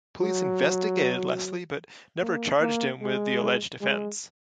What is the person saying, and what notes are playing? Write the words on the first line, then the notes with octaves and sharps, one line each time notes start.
Police investigated Leslie but never charged him with the alleged offence.
F#3
A#3
A#3
G#3
G#3